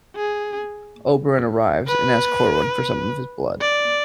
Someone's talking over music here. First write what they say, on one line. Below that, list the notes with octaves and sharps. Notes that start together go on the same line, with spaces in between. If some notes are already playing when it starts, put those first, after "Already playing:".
Oberon arrives, and asks Corwin for some of his blood.
G#4
B4
D5